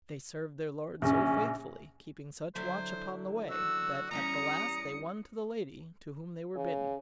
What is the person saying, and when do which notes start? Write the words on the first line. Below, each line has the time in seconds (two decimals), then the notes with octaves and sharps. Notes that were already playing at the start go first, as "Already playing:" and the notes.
They served their lord so faithfully, keeping such watch upon the way, that at the last they won to the lady to whom they were bidden.
1.02 A#1 C#3 C#4
2.55 D3 F#3 E4 C5
3.51 F#4 E6
4.11 E2 G3 C#4 A#5 D#6 C#7
6.55 C#3